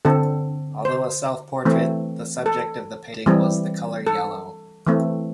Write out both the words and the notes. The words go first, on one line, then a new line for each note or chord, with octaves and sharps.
Although a self-portrait, the subject of the painting was the color yellow.
D3 C4 A4
C5
E3 A3 C4
A4
E3 G3 C4
A4
E3 A3 C4